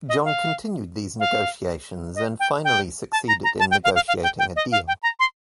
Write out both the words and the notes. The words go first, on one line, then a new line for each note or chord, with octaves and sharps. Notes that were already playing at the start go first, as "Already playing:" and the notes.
John continued these negotiations and finally succeeded in negotiating a deal.
D#5
F5
F5
D#5
G5
G5
A5
A#5
A#5
A5
G5
F5
F5
F5
G5
G5
D#5
F5
G5
A#5
C6